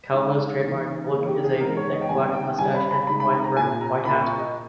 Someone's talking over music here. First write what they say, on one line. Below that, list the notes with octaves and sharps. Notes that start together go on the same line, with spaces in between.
Calvo's trademark look is a thick black moustache and wide-brimmed white hat.
C#3 G#3 D#4 G#4
E3 A#3 D#4
E3 A#3 D#4 G#4
G4
G#4
G#4
E3 G#3 B3 D#4 A#4
C#5
D#5
G5
D#3 G3 B3 E4 G#5
G5
G3 C#4 E4 G#5
B5
B5
C#3 G#3 D#4 B5
B5
A#5
A#5
A#2 A#3 E4 G#5
A#5
A#2 A#3 E4 B5
C#6
D#5